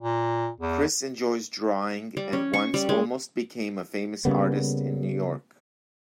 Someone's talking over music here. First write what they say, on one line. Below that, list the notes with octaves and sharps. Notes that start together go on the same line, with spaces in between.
Chris enjoys drawing and once almost became a famous artist in New York.
A#2
E2
G3
C#4
C#6
G3
G#3
C#3 G3 A#3 B3